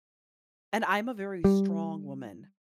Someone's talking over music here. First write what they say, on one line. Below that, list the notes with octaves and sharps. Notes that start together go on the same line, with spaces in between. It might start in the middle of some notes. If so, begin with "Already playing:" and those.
And I'm a very strong woman
G3